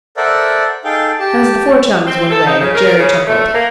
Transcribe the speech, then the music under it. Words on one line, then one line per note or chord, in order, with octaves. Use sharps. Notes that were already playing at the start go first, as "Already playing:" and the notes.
As the four chums went away, Jerry chuckled.
A4 A#4 C5 D5 E5 F#5
D#4 G#4 A4 F5 G5
G4 A5
C4
A4
D#4
C#3
A#4
C#3
A3
A#3